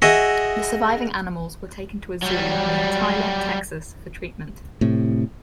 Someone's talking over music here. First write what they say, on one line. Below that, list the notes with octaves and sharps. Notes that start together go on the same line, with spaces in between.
The surviving animals were taken to a zoo near Tyler, Texas for treatment.
F#4 G#4 D#5 E5
F#3 G3
A2 C3